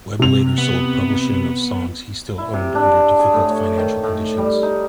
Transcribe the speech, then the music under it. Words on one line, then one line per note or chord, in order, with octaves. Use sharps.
Webb later sold publishing of songs he still owned under difficult financial conditions.
C3 F7
B3
E4
C3
D4
G#4
A2
C#5
D#3
A2
G3
D#4